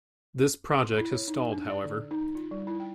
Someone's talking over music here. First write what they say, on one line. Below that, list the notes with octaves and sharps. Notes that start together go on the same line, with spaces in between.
This project has stalled, however.
C6
E4
C#5
D#4
D4
D5
D3
D#4
F4
G3
E4
G5